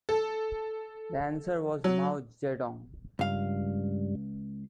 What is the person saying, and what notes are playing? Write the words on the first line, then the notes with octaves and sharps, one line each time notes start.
The answer was Mao Zedong.
A4
F#3
C#2 G2 G3 F5